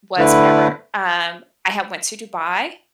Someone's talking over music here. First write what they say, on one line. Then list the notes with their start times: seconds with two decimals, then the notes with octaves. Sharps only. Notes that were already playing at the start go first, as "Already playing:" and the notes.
was whenever um, I had went to Dubai,
0.18 D3 A3 E4 B4